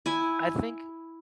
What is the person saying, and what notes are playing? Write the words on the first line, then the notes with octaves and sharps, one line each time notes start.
I think
E4 G#5